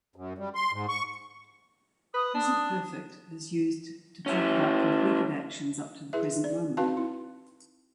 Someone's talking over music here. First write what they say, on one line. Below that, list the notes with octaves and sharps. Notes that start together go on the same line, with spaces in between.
Present Perfect is used to talk about completed actions up to the present moment.
F#2
G3
C6
G#2
C#6
B4 D#6
D4
C#4 E4
E4 G#4 B4 E5
D5
C4 D#4 F#4 B4 F5 A5
E4